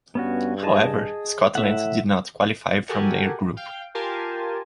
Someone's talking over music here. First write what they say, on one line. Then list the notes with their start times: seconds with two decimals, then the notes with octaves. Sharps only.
However, Scotland did not qualify from their group.
0.15 G2 B3 C#4 F#4
0.63 G#4 D#5 A5
1.55 A2 E5 F#5
2.89 F#4 G4 A4 A#4 F#5 G#5
3.57 F5 G5
3.95 F4 G4 A#4 G#5 A5 C6